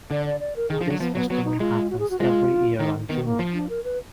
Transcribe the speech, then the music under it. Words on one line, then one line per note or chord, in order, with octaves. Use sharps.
This festival happens every year on June.
D3 D5
D5
D5
A#4
D#3 G#4
F3
D4
F#3
F3 B3
F#3 B3
F#3 B3
D#4
G#3 F4
F#4
G#4
F#4
G#3 F4
D#3 D#4
D#3 B3
A#3
F3
D4
A#4
B4